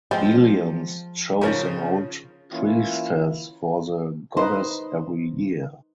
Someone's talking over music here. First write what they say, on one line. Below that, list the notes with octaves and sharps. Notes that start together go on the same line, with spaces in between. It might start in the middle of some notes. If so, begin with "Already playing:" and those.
Eleans chose an old priestess for the goddess every year.
F3 G#3 C4
C#3 F3 C#4 D#4 A#4 C#5
E3 A#3 C#4 E4 F4
D#4 B4 C5